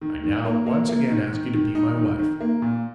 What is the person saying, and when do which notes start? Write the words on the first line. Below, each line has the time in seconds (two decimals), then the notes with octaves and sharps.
I now once again ask you to be my wife.
0.02 D#3
0.24 D#3
0.45 A#3
0.67 A#3
0.89 A#3
1.10 D#3
1.32 D#3
1.54 D#3
1.75 D#4
1.97 D#3
2.18 D#3
2.41 A#3
2.62 A#2